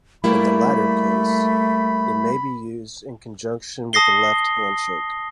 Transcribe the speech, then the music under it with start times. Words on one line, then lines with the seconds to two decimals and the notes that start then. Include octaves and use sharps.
In the latter case, it may be used in conjunction with the left handshake.
0.24 G3 A3 A#3 E4 B5
3.93 A5 D#6 A#6 C7 G7